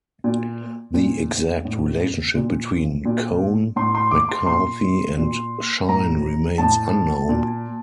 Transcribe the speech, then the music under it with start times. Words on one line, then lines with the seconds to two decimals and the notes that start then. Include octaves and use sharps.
The exact relationship between Cohn, McCarthy and Schine remains unknown.
0.24 A#2
0.94 A#2
1.65 A2
2.35 A#2
3.05 A#2
3.76 A2 C6
3.95 C6
4.11 D6
4.29 C6
4.46 A#2 C6
5.17 A#2
5.89 A2 A#5
6.58 A2 A5
7.29 A#2